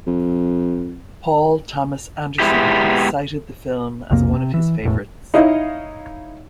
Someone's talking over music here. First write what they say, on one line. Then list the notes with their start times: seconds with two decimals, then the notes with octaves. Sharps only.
Paul Thomas Anderson has cited the film as one of his favorites.
0.07 F2
2.39 G#3 B3 E4 G4
4.11 B1 F2 C3 A#3
4.34 C3
4.54 E3
4.83 E1 E2 A2
5.34 D#4 E4 C#5 D#5 F5